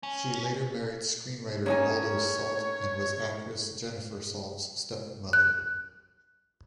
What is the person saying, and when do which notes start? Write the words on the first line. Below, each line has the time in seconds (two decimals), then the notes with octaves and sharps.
She later married screenwriter Waldo Salt and was actress Jennifer Salt's stepmother.
0.03 C#4
1.66 A#3 C#4 D#4 C#5 G#5
5.33 F#6